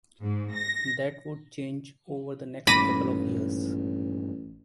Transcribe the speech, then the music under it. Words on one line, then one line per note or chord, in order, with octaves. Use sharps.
That would change over the next couple of years.
G#2
A#6
A1 G2 A#2 D#3 B5 D6 A#6 D#7